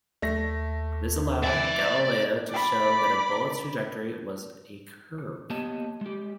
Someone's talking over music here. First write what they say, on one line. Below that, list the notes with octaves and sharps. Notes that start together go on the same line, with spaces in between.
This allowed Galileo to show that a bullet's trajectory was a curve.
D#2 A3 A#6
D5 E5 G#5
D5 B5
A#3 B3 G4 C#5 D#5 A5
G#3 G4